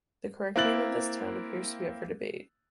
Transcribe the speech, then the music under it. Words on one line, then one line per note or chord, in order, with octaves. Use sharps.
The correct name of this town appears to be up for debate.
A#3 C4 E4 F#6 A6 F#7